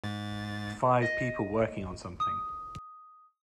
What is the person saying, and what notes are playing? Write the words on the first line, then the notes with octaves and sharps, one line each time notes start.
Five people working on something.
G#2 A6
D#5
D#6